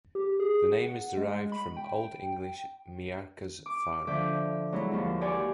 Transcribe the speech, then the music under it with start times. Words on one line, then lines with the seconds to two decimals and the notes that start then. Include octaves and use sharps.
The name is derived from Old English "Mearca's Farm".
0.15 G4
0.40 G#4
0.72 F#5
1.18 G#3
1.52 B5
1.77 G5
3.66 D6
4.07 D3 F3 E5 D6 G6
4.72 F#3 G#3 E4
4.91 D#2 F3 F#4
5.21 F#4 G4 D5 F#5 G#5 C6